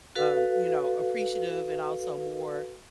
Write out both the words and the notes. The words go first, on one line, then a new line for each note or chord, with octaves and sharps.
um, you know, appreciative and also more,
F#4 A4 B4 F5